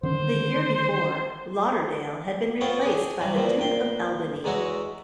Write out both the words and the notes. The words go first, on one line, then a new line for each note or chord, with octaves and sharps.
The year before, Lauderdale had been replaced by the Duke of Albany.
D3 D#3 C#4 C5
B3 C4 F4 C#5 G5
D4 G#4
C3 G3 C#4
E2 A#2 F3 C4
A#2 G5 C6
E2 G#3 D#4 F#4 C#5 E5